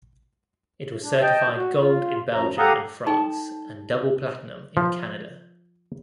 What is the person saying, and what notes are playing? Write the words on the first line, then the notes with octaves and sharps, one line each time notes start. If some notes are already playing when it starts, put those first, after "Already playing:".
It was certified gold in Belgium and France and double platinum in Canada.
D4
D#5 G5 A5
F#4
F4
F#2 F3 A#5
G4 A4 F5 F#5 A#5 D#6
D#4 A4 G5 A5
F3